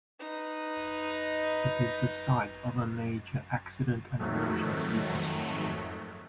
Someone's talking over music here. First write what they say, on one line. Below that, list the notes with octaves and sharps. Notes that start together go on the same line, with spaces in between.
It is the site of a major Accident and Emergency hospital.
D#4 B4
F2 G#2 D#3 F#3 A3